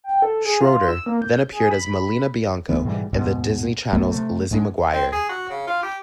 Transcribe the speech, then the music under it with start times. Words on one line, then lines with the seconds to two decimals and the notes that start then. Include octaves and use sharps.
Schroeder then appeared as Melina Bianco in The Disney Channel's "Lizzie McGuire".
0.04 G5
0.22 A4
0.45 G#4
0.61 F4
0.88 E6
1.06 A#3
1.22 G6
1.52 G#4
1.71 B5
2.69 E1 D2 E3 B3
2.85 G#2 B2 E3 G3
3.13 D#2 G#2 B2 G#3
3.93 A#1 F#3 A3 B3
4.11 C3 A3
4.51 G#2 G#3 D4
4.93 C4
5.12 G#4
5.29 F#4
5.50 C#3
5.67 F4
5.83 G4